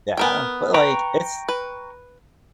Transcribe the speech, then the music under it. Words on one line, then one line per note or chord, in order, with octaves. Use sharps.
Yeah, but, like, it's
B3 A#4 G5
B4 G5 A#5 C#6
B4